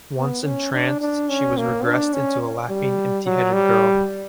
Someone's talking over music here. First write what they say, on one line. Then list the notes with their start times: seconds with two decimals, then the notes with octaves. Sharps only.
Once entranced she was regressed into a laughing, empty-headed girl.
0.17 B3
0.44 C#4
0.73 D4
1.01 D4
1.29 C#4
1.58 A#3
1.85 D4
2.13 C#4
2.69 G3
3.25 F#3
3.54 G3